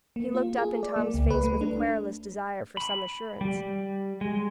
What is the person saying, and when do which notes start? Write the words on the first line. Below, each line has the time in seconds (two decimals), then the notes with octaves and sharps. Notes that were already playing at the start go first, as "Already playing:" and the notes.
He looked up in Tom's face with a querulous desire for some assurance.
0.16 A#3
0.35 F4
0.58 G#4
0.83 D5
0.96 A#3
1.14 C#2
1.30 B4
1.43 A3
1.61 D4
2.77 B5
3.41 G3
4.21 G#3